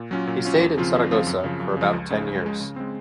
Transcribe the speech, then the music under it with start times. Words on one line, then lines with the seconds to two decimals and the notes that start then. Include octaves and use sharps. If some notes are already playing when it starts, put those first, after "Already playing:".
He stayed in Zaragoza for about ten years.
Already playing: A#2
0.11 F#3 C#4 F4
0.27 A#2
0.45 F#3 C#4 F4
0.60 D#2
0.77 C#3 F3 C4 F4
0.94 D#2
1.11 C#3 F3 C4 F4
1.27 F#2
1.44 C#3 F3
1.60 F#2
1.77 C#3 F3
1.93 C#2
2.10 C#3 G#3
2.27 C#2
2.44 C#3 G#3
2.61 C#3
2.76 G#3 C4